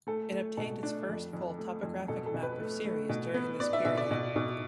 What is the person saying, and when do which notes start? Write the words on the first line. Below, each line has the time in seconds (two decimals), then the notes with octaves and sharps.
It obtained its first full topographic map of Ceres during this period.
0.07 A3 A4
0.32 A3
0.57 B2 A4
0.83 A3 D4
1.09 F2
1.33 F2
1.59 A3
1.83 F2
2.08 B2 A4
2.26 A4
2.34 B2
2.43 B4
2.60 A3
2.85 A3
3.09 B2
3.34 B3
3.60 B3 D5
3.73 E5
3.85 B2 E5
3.97 D5
4.11 B2
4.36 B2